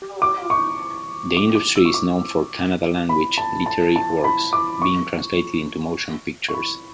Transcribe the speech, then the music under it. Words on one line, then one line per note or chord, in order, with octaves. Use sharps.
The industry is known for Kannada language literary works, being translated into motion pictures.
D6
C#6
D6
D6
E6
C#6
D6
B5
A5
A5
A5
B5
D6
C#6
C#6
B5